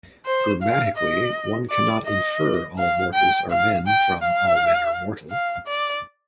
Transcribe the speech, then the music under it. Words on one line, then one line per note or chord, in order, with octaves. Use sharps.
Grammatically, one cannot infer "all mortals are men" from "All men are mortal".
C5
F5
D#5
D5
D#5
F5
G5
F5
G5
F5
F5
D5